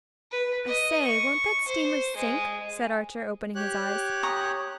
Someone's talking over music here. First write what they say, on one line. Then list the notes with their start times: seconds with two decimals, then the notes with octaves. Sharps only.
"I say, won't that steamer sink?" said Archer, opening his eyes.
0.31 B4
0.67 D#5
1.05 C#6
1.68 C5
2.16 G#3
3.55 G4 C#5 F#6
4.23 A#5 C#6 D#6